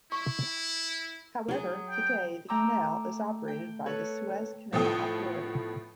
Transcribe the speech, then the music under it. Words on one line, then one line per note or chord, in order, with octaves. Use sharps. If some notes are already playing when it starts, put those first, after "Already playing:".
However, today the canal is operated by the Suez Canal Authority.
E4 C#6
F#3 G#4
G5
A3 G5 A#5 D6 E6
G5
A4 B4 C#5
A2 F3 B3 A4 G5 D#6